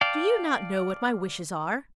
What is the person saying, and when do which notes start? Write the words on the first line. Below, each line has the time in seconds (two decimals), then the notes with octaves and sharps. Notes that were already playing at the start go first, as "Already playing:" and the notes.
"Do you not know what my wishes are?"
0.01 D5 F5 G5 A5